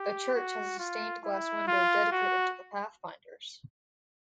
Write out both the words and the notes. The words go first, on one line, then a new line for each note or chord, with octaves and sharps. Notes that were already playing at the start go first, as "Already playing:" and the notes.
The church has a stained glass window dedicated to the Pathfinders.
Already playing: G4
F#4
F4
E4
F4
F#4